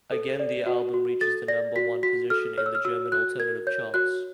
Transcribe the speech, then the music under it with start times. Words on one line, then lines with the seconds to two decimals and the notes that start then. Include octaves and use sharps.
Again the album reaches the number one position in the German Alternative Charts.
0.12 A4
0.40 D5
0.66 F#4
0.94 F#4
1.21 A4 A6
1.48 D5 A#6
1.76 F#4 B6
2.03 F#4 B6
2.30 A4 F6
2.58 C#5 F6
2.66 E6
2.75 F6
2.85 F#4 E6
3.12 F#4 F#6
3.40 A#4 G#6
3.67 C#5 G6
3.94 F#4 F#6